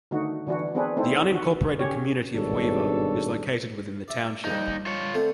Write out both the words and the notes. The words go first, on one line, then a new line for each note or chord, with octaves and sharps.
The unincorporated community of Weaver is located within the township.
D3 D#3 A3 D#4 F#4
D3 E3 D4 E4 F#4
B3 C4 D4 G#4 A4 B4
A3 C4 D#4 E4 A4
D#3 F#4
C#3 C#4 G4 C#5
G#1 G2 B2 D4 A4 C#5
D5 E5
D#2 F3 G3 D#4
F4 C#5
D3 A3 C4